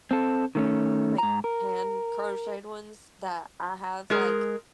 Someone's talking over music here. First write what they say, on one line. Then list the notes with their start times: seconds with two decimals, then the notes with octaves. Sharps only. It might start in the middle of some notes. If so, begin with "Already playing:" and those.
like hand-crocheted ones that I have like
0.11 C4 A4
0.55 D#3 A3 C#4
1.18 G#2 A#5
1.44 A#4
4.10 G#3 G#4 A#4